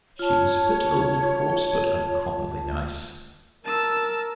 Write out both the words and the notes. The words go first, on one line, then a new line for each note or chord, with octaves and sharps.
She was a bit old, of course, but uncommonly nice.
F4 C#5 A5
A#4 A5 E6